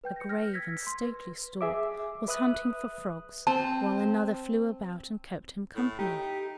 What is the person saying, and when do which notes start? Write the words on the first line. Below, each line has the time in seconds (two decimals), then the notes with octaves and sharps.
A grave and stately stork was hunting for frogs, while another flew about and kept him company.
0.04 B4 G5 G6
0.16 A#6 C#7
0.29 F6 G6 A#6
0.54 E6 G#6 A#6 B6
0.87 C6 G#6
1.03 B4
1.61 G#4 E5 D6
2.28 B4 E5 D#6 F#6
3.47 C4 A5
5.76 A2
5.99 D#4 G4